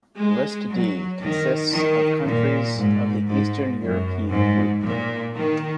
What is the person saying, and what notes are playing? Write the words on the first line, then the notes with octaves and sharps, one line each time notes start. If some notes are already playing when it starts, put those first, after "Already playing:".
List D consists of countries of the Eastern European Group.
G#3
F#3
D#3
D#3
A#2
G#2
G#2
F#2
G#2
A#2
D#3